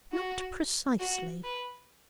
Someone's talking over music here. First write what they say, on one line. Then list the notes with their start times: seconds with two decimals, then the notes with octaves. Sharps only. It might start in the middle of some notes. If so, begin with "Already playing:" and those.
Not precisely.
0.12 F#4
1.00 F#4
1.44 B4